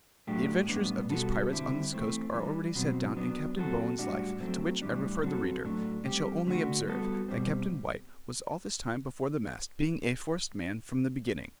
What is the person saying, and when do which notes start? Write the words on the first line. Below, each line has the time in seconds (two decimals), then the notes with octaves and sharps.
The adventures of these pirates on this coast are already set down in Captain Bowen's life, to which I refer the reader, and shall only observe, that Captain White was all this time before the mast, being a forced man from the beginning.
0.27 A2 F#3 A3 D4 G4
0.68 A2 G3 B3 D4
1.10 B2 G3 B3 F#4 A4
1.51 D3 G3 C4 E4
1.92 E3 A3 C4
2.33 E3 G3 D4
2.75 B2 F#3 C4
3.16 F#3 B3 D4
3.57 F#3 C4 F#4 A4
3.98 A2 G3 D4 F#4
4.41 F#3 A3 C4
4.82 A2 E3 G3 D4
5.23 F#3 C4 F#4 A4
5.64 A2 F#3 A3 D4
6.05 G3 C4 G4
6.46 D3 A3 D4 F#4
6.87 G3 B3 F#4 A4
7.28 B2 G3 C4